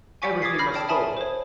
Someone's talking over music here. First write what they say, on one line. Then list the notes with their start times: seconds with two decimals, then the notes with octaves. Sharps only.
Everything Must Go!!!
0.22 G#5 C#6 D6 B6 C#7 D7
0.42 D6 D#6 G#6 A6 B6 C7
0.58 B5 F6 G6 A#6 C7
0.74 C#5 D5 G5 A5
0.89 E5 G#5 A5 B5 D#6
1.17 C5 C#5